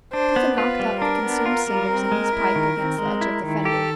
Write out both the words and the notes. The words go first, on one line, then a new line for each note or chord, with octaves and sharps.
Puffin knocked out the consumed cinders in his pipe against the edge of the fender.
D4 C5
B3
F4 B4
G3
D4 A#4
B3
F4
G3
C4
G#3
E4
D#3
C4
G#3
E4
D#3
G4 A4